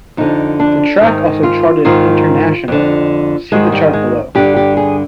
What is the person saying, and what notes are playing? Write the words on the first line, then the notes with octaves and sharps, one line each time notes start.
The track also charted internationally - see the chart below.
F2 D3 D#4
D4
G#2 D#3 D#4
F4
G#2 D#3 F4
F2 D3
G#2 D#3 G#3
G3
G#3
G2 D3 G4
G4
G#4